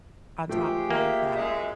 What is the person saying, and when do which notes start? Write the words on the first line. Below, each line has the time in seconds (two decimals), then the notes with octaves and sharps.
on top of all of that.
0.49 F3 G#3 A3 G4 G#4
0.91 A#3 E5
1.35 F#2 G#3